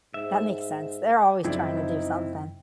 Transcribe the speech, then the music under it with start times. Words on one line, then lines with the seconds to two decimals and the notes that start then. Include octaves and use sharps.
That makes sense. They're always trying to do something.
0.14 G#2 E5
1.45 F#2 C#3 F3 C4 D#4 E4 D5 G5